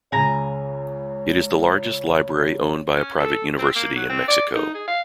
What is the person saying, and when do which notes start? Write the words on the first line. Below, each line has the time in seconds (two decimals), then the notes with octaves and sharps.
It is the largest library owned by a private university in Mexico.
0.12 C#2 C#3 C#5 G#5 A#5
2.96 C#4
3.20 A4
3.58 C4
3.76 A#3
3.96 F#3
4.10 C4
4.28 D5
4.54 D#4
4.74 G#4
4.88 F5